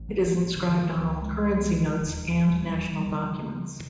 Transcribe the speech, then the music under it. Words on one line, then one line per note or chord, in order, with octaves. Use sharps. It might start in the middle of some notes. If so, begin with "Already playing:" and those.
It is inscribed on all currency notes and national documents.
Already playing: A1 A2
F#3
E3
D3
D#3
E3
C#2 C#3 F3
G#3
E1 D#2 D3
F#3
G3
G3
D2 C#3